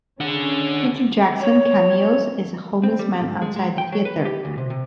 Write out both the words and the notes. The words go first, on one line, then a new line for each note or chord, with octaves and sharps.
Peter Jackson cameos as a homeless man outside a theatre.
C#3 C#4 D4 F#5
C#5
C4
G3
G#2
G#3
G#3
G5
F#3
B4
G4
D2
C3
C3